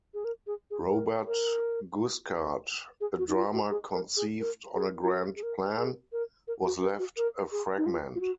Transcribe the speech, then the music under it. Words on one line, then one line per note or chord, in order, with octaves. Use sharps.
"Robert Guiskard", a drama conceived on a grand plan, was left a fragment.
G#4
A#4
G#4
G#4
G#4
A#4
A#4
G#4
F#4
D#4
F4
F#4
G#4
A#4
G#4
A#4
G#4
F4
F#4
G#4
A#4
G#4
A#4
A#4
F#4
A#4
F#4
A#4
G#4
D#4
F4
F4
F#4